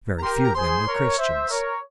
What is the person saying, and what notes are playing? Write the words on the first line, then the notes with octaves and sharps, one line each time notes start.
Very few of them were Christians.
A#5
G4 A#4 C6
A#5
G#4 C5 C6
A#4 C#5
C5 E5
A#4 C#5